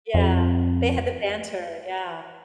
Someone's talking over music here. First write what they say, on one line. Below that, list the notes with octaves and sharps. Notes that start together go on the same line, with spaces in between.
Yeah, they had the banter. Yeah.
F2